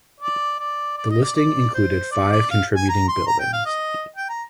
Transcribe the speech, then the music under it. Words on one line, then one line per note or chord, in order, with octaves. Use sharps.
The listing included five contributing buildings.
D5
D5
D5
D#5
D5
D5
C5
D5
D5
F5
G#5
A#5
C6
A#5
G5
F5
D#5
G5
A#5